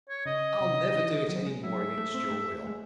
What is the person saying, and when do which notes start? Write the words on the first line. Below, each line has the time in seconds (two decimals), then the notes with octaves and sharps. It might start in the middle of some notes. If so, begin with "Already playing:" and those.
I'll never do it any more against your will.
0.09 C#5
0.26 C#3 D#5
0.61 C3
0.95 C#3
1.03 E3
1.12 D#3
1.29 F#3
1.46 G#3
1.64 F#3 E5
1.80 G#3
1.98 A3
2.14 C4
2.31 A3
2.67 G#3